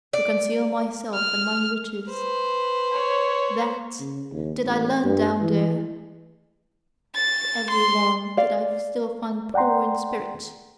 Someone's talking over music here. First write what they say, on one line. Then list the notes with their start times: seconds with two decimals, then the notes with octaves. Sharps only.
To conceal myself and my riches--THAT did I learn down there: for every one did I still find poor in spirit.
0.13 D5
1.14 F6
2.09 B4 C5
2.93 C#5
4.00 C#3
4.33 D#2
4.64 A1
5.04 G2
5.42 E3
7.15 A6
7.71 C6
8.37 D5 F5
9.54 D5 F#5 G5 A#5 C6